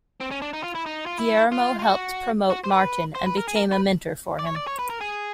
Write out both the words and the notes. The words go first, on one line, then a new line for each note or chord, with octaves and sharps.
Guillermo helped promote Martin and became a mentor for him.
C4
C#4
D4
D#4
F4
E4
D#4
F4
E4
F4
F4
F#4
F#4
C5
B4
C5
B4
A#4
G#4
A#4
B4
D5
C#5
D5
C#5
B4
A#4
G#4